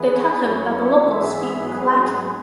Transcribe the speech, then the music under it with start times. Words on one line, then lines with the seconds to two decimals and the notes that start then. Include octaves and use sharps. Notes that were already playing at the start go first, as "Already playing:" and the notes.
They tell him that the locals speak Latin.
Already playing: E3 B3 G#4 B4
0.45 F#2 F#3 E4 C#5
1.02 G#2 E3 B3 G#4 E5
1.60 G#2 F#3 B3 G#4 B4